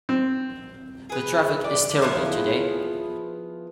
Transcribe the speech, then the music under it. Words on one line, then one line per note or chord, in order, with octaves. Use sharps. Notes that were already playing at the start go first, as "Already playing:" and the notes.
The traffic is terrible today.
C4
G#4 B4
D5
F3 B3 E4 G#4